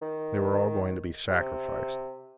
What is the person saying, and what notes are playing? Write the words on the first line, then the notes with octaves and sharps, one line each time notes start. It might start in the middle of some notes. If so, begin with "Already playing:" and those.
They were all going to be sacrificed.
D#3
C3